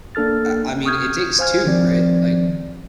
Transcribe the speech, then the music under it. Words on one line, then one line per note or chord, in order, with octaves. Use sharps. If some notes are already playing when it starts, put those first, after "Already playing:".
I I mean, it takes two, right, like
A#3 D4 A4 F6 A6
C#6 D#6 F6 G6 G#6
C5 F5 G#5 F6 G#6
D#3 F3 C4 D5